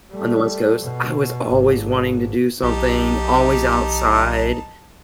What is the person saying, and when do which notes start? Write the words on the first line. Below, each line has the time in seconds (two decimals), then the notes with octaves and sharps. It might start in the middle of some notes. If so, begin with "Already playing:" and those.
on the West Coast, I was always wanting to do something, always outside,
0.12 G3 A3
0.81 B2
1.49 G#1
2.63 B1 D#4 G4 A5